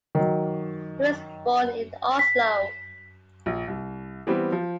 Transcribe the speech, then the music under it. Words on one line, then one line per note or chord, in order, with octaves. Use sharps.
He was born in Oslo.
D#3 F#3
B6
A#1
C2
E3 G3 B3 C4
F3